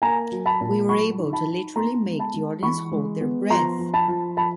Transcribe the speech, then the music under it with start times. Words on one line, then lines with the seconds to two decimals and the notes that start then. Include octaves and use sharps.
We were able to literally make the audience hold their breath.
0.02 A#3 G#5 A#5
0.32 F#3
0.46 A5 B5
0.61 A#2
0.89 F#3 B5 C#6
1.19 D#4
1.33 A5 B5
1.47 D#4
1.76 B3 A#5 C6
2.06 G#3
2.19 A5 B5
2.34 G#3
2.63 E3 B5 C#6
2.92 G#3
3.21 B3
3.50 F3 A#5 C6
3.79 F3
3.94 A5 B5
4.08 F3
4.37 F3 A5 B5